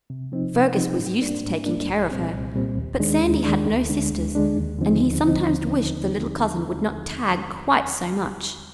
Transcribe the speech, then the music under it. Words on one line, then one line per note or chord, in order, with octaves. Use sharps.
Fergus was used to taking care of her, but Sandy had no sisters and he sometimes wished the little cousin would not tag quite so much.
C3
F3 C4 D#4
C3
F3 C4 D#4
G#2
G3 A#3 D4
G#2
G3 A#3 D4
C2
A#2 G3 C4
C2
A#2 G3 C4
D#2
D#3 G#3 D4
D#2
D#3 G#3 D4
D2
D3 G#3 D4
D2
D3 G#3 D4
D#2
D3 F3 C4 D#4
D#2
D3 F3 C4 D#4